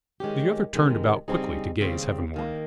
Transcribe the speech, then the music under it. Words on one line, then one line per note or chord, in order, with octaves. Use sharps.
The other turned about quickly to gaze heavenward.
D#3 G#3 C#4 G4
C3 D#3 G#3
C#3 G3 C4 D#4 G#4
D#2 C#3 G3 C4
D#2 D#3 A#3